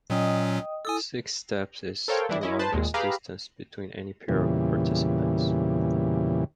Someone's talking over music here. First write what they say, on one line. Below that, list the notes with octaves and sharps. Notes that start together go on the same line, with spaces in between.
Six steps is the longest distance between any pair of participants.
A#2 F#3 C#4 D#5 G5 D#6
E4 A4 G#5 D#6 E6
A4 A#4 C5 C#5 F5 G5
E3 G3 D4 E4
C#4 E4 D#5
B4 C5 A5
D#2 A#2 G#3
G4 G#4 B4 F5 A#5 B5
E2 A#2 C#3 E3 G3